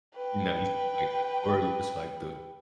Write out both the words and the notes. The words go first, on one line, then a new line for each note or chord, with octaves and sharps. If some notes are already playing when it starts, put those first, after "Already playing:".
you know, you said, like, the aquarium, it's, like, the
B4 G5